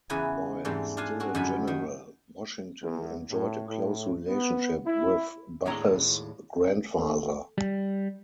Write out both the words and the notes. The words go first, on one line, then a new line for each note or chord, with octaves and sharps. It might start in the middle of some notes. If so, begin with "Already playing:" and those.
While still a general, Washington enjoyed a close relationship with Bache's grandfather.
E2 C#3 E3 B4 G#5 A#5
G#2 E3 G3 A3 C4
D4 F4 F5 G#5
C4 C#4 F#4
F#2 D3 F3 C#4 G#5 B5
D#3
E2
A2
A2
B3
E4
D#2 A2 G#3 D4 C#5 A#5
A4
G3